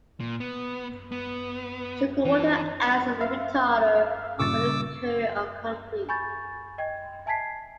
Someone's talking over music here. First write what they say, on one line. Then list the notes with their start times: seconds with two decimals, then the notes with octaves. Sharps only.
Sugar water acts as a retarder for the curing of concrete.
0.20 A#2
0.40 B3
1.12 B3
2.25 E3
3.20 E5 F5
4.39 G2 A#2 C#3 C#6 D6 E6 A6
6.09 G#5 B5 C#6 G6 A6
6.78 D#5 G5 G#6
7.26 E5 G#5 A5 G#6 B6 C7